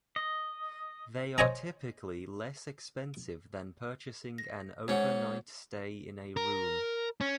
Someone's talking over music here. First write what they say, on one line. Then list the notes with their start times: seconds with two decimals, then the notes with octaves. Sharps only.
They are typically less expensive than purchasing an overnight stay in a room.
0.16 D#5
1.38 C5 C#5 D#5 G#5 A#5
4.38 A#6
4.88 G#2 C#4 C#5 F#5
6.37 A#4
7.21 C#4